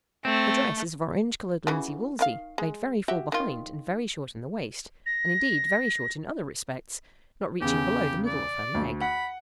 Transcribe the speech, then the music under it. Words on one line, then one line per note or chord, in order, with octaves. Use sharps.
Her dress is of orange-colored linsey-woolsey, made very full behind and very short in the waist--and indeed very short in other respects, not reaching below the middle of her leg.
A3 C4
C#3 E3 F#4
D#3 E4 F5
G#3
F#4 G4 E5
D#3 F4
A#6
E2 C#3 G4
D5
D2
F#5 B5